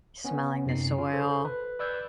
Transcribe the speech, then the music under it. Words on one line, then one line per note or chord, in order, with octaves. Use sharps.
smelling the soil,
B3 C#4
F#2 C3 D#4 C7
F4
A4 C5
B4
B4 D5 E6 G6 G#6